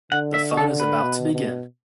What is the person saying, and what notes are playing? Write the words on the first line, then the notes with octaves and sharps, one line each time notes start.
The fun is about to begin.
D3 F#5
E5
A4
B4
B2
B2